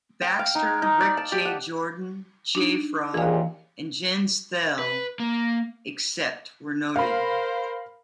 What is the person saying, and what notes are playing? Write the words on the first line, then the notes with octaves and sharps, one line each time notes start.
Baxxter, Rick J. Jordan, Jay Frog, and Jens Thele, except where noted.
G5
F5
D#4
D#4
D5
A5
G4
F#5
D4 D#4
D#2 A#2 E3 G#4 F5
B4
A#3
A#4 C5 F5 B5